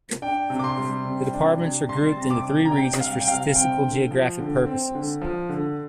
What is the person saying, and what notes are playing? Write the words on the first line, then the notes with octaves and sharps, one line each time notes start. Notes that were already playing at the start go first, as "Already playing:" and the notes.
The departments are grouped into three regions for statistical and geographic purposes.
D4 G5
C3
D6
C6
G3
C3
D4
C3
G3 C6
C3
D6
D4
A#5
C3 G5
G3 F5
G5
C3 F5
C4 G5
D3
F3
D3
C4
D3
F3
D3